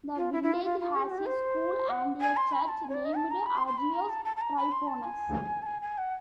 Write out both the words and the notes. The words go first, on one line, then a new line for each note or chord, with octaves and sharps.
The village has a school and a church named Agios Tryphonas.
F4
E4
E4
F4
F4
F4
G#4
G4
F#4
G4
C5
F#5
G#5
C6
B5
A5
G#5
C#5
D5
D#5
A5
A#5
B5
C6
C6
B5
A#5
A5
A5
A5
A#5
B5
C6
A5
G#5
A5
G#5
G#5
F#5